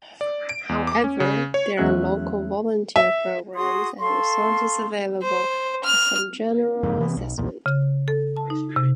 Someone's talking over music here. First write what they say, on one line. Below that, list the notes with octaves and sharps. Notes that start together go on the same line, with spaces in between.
However, there are local volunteer programs and resources available for some general assessment.
D5
D7
E2
D6
C#4
C#3
C#5
E2 F#3 G#3 C#4 E5 F#6
E5
F#4 G#4 C6 D#6
A4 F5 C6 C#6
C5
F6
F#1 F2 G#2
C3 E3 B3
B1
B1 E2 A#2
C#3
A4
A5
D#4
C3